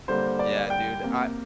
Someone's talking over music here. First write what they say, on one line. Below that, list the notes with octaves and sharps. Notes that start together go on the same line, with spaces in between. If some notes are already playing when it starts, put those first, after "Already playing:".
Yeah, dude, I
D3 G3 A#3 C5
D5
G5
C3 A#3